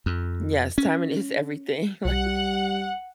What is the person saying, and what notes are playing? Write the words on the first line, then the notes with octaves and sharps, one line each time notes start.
Yes, timing is everything, like
F2
C#4
B1 G3 F#5